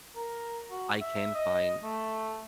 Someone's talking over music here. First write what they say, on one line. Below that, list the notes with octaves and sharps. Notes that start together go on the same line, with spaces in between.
I can find
A#4
F#4
E5
D#5
A3